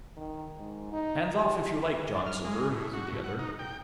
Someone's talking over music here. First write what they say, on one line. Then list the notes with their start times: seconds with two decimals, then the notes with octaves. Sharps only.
"Hands off, if you like, John Silver," said the other.
0.17 D#3
0.56 G#2
0.92 D#4
1.35 G4
2.15 D4
2.26 F6
2.45 G#3
2.70 A2
2.93 F#4
3.12 A2
3.24 F#5
3.39 D#4
3.59 G5